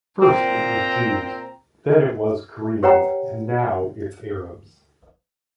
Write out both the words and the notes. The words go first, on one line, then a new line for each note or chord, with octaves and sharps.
First it was Jews, then it was Koreans and now it's Arabs.
A#2 C4 A#5
G4 B4 C#5 F#5 G5 A#5